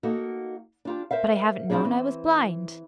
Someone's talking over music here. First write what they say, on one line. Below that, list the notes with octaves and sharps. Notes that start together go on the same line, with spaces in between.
"But I haven't known I was blind!"
A#3 D#4 F#4 A4
D4 F4 G4
A#4 C5 E5 F5
F3 G3 C4 D4 G#4
E3 C4